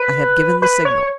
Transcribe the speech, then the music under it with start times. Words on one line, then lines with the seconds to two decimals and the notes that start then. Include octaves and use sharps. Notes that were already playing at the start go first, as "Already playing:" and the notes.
"I have given the signal."
Already playing: B4
0.62 B4
0.85 C#5